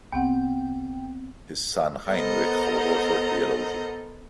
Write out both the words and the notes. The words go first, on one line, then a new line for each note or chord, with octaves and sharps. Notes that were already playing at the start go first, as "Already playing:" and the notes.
His son Heinrich was also a theologian.
C2 B3 C4 F#5 G5
B3 A4 A#4 C5 D#5 A#5